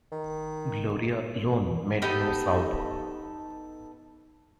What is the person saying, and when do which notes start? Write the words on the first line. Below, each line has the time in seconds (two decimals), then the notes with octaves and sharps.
Gloria alone made no sound.
0.12 D#3
2.02 B3 D#4 G4 A4